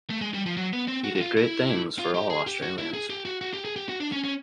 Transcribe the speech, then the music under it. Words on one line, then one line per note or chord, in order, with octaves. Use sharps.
He did great things for all Australians.
A3
G#3
G3
F3
F#3
B3
C4
F#4
F#4
F4
E4
F4
G4
G#4
G4
F#4
E4
G#4
G4
F#4
F#4
G4
G#4
G4
F#4
D4
C#4
C#4